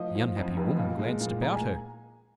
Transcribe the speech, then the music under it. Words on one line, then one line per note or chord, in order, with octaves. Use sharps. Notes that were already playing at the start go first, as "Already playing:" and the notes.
The unhappy woman glanced about her.
Already playing: F3 D#5
F3
F2
F1
A#2
G#3
A#2
G#3 A#5
G#5